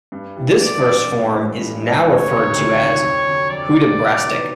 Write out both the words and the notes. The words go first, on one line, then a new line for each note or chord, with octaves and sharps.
This verse form is now referred to as "Hudibrastic".
G2
E3 G3
G2 D5
E3 G3
G2
E3 G#3
G2
E3 G#3
D2 C#5
C3 D#3 F#3
D2
C3 D#3 F#3
F2
D3 F#3
F2 D5
D3 F#3
C3
D#3 F#3 B3 E4